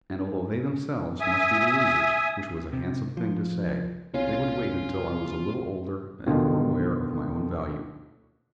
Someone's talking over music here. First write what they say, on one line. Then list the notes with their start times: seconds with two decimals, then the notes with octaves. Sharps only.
And although they themselves must be the losers--which was a handsome thing to say--they would wait until I was a little older and more aware of my own value.
1.21 E5 G#5 D#6
2.73 C3
3.17 F3
4.14 C2 C#3 C#4 F4 F5
6.27 B2 D3 D#3 F4